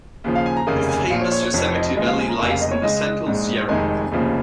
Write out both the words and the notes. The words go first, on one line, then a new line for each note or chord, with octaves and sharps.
The famous Yosemite Valley lies in the Central Sierra.
D#2 C#3 F3
F5
G#5
A#5
F1 D#2 C#3 A#3 G#5
G#5
A#1 A#2 F3 F5
C#5
C#5
C#5
F1 F2 F3 C#5
D#5
D#2 C#3 F3 G#3 D#5
F5
G#5
A#5
F1 F2 C#3 A#3 G#5
F5
D#5
C#5
C#2 C#3 G#3 D#5
A#1 G#2 G#3
F1 F2 D#3 G#3 G#5
F1 D#2 C#3 F3